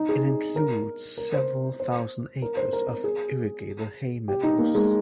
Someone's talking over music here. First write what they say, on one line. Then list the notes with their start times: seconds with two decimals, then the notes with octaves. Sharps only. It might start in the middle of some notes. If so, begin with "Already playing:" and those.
It includes several thousand acres of irrigated hay meadows.
Already playing: D#4
0.09 G#4
0.56 A#4
1.17 A#4
1.34 C5
1.80 C5
2.42 A#4
2.57 C5
2.73 A#4
2.88 A#4
3.04 G#4
4.28 G4
4.43 D#4
4.58 A#3
4.75 G#3